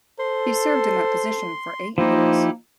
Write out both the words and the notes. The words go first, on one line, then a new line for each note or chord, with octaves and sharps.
He served in that position for eight years.
A4 C5 C6
F3 A#3 D#4 E4 G4 C5